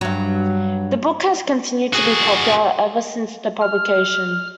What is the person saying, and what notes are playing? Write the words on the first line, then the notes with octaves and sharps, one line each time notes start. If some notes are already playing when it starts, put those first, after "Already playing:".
The book has continued to be popular ever since its publication.
G2 F#3
F#4 G#4
F6